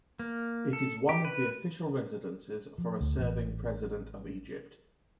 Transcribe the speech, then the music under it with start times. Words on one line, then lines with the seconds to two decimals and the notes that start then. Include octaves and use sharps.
It is one of the official residences for a serving President of Egypt.
0.19 A#3
0.73 A4
1.09 G4
1.25 B4
2.78 F3
3.01 D2
3.19 A1